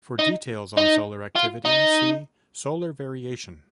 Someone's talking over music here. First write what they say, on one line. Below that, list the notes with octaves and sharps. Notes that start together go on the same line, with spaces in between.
For details on solar activity see: solar variation.
D#4
D#4
F4
D#4